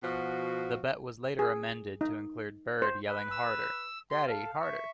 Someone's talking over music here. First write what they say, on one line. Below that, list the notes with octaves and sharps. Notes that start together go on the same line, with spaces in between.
The bet was later amended to include Bird yelling Harder, Daddy, Harder.
B2 F3 F#4
G#4
D#4
C5
B4
E6
G4 C6
A4 F5
E5 C#6